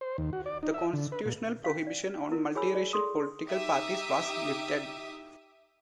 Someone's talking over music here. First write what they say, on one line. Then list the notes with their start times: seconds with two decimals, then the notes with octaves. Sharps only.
The constitutional prohibition on multiracial political parties was lifted.
0.01 C5
0.18 D#2
0.33 F#4
0.46 D5
0.63 D#4
0.74 E5
0.93 D3
1.12 B4
1.26 A#2
1.64 C#4 F5
1.87 D5
2.32 E4 A#4
2.55 G#4 C#5 G#5 B5 E6
2.75 D5
2.93 G#4 A4 C6 D#6
3.49 D#4 G4 E5 D#6